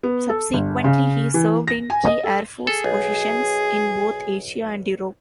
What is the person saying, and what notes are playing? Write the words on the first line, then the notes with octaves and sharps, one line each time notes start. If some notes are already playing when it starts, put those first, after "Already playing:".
Subsequently, he served in key Air Force positions in both Asia and Europe.
B3
A4
G1
C#3
E3
A#6
G#5
D#5
A4
G#4 A4
B1